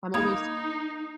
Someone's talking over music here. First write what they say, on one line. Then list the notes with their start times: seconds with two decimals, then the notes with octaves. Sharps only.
I'm almost
0.14 A#3 D#4 B5 D#6 G#6